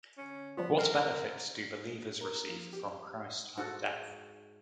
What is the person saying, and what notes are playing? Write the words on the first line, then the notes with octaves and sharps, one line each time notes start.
What benefits do believers receive from Christ at death?
C#4
F3 G3 B3 F4
A#4 F6 C7 D#7
A#4
A#4
F3
G4
G#2 F#4 A4 F#5